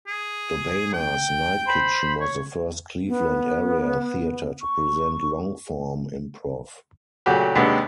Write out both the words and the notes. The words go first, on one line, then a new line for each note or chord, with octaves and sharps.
Dobama's Night Kitchen was the first Cleveland area theater to present long-form improv.
G#4
G5
C5 B5
C#5
B3
C#6
A#2 C#3 F#3 A3 F#4 G4
D#2 C3 G#3 B3 D4